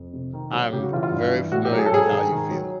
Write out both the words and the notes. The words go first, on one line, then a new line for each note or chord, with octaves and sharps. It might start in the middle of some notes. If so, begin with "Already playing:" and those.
I'm very familiar with how you feel.
Already playing: F2
C3
D#3
F#3
C#3 G4
F#4
E3 F4
F4
G2
E3
A2 F#4
G4
F#3
G#4
A4
G#2 G#4
D#3
D#3
F#3